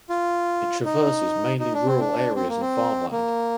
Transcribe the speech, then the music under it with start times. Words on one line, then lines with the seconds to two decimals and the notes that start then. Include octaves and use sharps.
It traverses mainly rural areas and farmland.
0.09 F4
0.85 D#4
1.60 D#4
1.74 D4
1.87 C4
2.00 D4
2.36 C4
2.49 A#3
2.60 C4
3.11 A#3